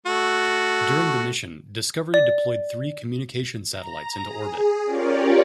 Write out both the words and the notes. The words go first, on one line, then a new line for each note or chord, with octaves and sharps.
During the mission, "Discovery" deployed three communications satellites into orbit.
A3 F#4
D5
A#5
G#4
C#4 F4 G4 A#4 C#5 D5